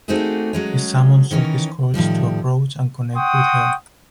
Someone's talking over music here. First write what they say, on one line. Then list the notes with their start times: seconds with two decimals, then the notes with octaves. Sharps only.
He summons all his courage to approach and connect with her.
0.08 A3 A#3 C4 D#4 F#4 G#4
0.53 F#3 G#3 C#4
1.31 D#3 E3 C#4 A#4
1.94 A2 D#3 F3 G3
3.16 F#5 G5 C6 C#6 D#6